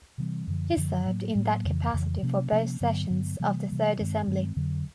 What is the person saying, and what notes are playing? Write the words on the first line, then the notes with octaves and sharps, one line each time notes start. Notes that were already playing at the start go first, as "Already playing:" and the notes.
He served in that capacity for both sessions of the Third Assembly.
C3 E3 G3 C4
F#2 D3 F3
F#2 D3 F3
A2 F#3 A#3
A2 F#3 A#3
F2 C#3 E3
F2 C#3 E3
C3 F3 A#3 C#4
C3 F3 A#3 C#4
G2 D3 F#3 B3
G2 D3 F#3 B3
C3 E3 G3 A#3
C3 E3 G3 A#3
G2 D#3 G#3 C4
G2 D#3 G#3 C4
F2 D3 F#3